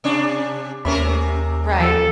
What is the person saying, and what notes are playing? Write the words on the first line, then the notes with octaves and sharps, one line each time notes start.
Mhm, right.
C3 C#4 D4
D#2 C3 C#4 A#4 B5
F3 A4